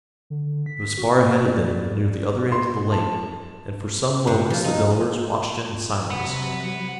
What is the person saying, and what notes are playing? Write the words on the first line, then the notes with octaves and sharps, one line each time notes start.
It was far ahead of them near the other end of the lake, and for some moments the Delawares watched it in silence.
D3
B6
F#4
A#3
D5
C6
A5
G2
F3
D#4
C3 F#3 F#5 B5